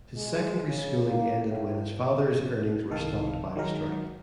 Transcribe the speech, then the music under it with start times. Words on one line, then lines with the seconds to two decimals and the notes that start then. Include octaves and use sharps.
His secondary schooling ended when his father's earnings were stopped by a strike.
0.15 G#3
0.66 C#3
1.08 A#3
1.47 A2
2.90 C2 D#3 A4 F5
3.56 D#3 F#3 G#3 A#4